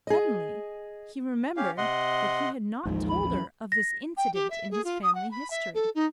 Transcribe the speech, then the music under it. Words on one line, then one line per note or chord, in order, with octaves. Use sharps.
Suddenly he remembered that he had not told her of this incident in his family history.
G#4 D#5
C#4 G4 F5
C3 D#5 F#5 C6
A1 D#2 G#2 F3
B5
F#2
A#6
G5
G4
E5
G#4
F4
D#6
F#5
B5
E5
A4
D#4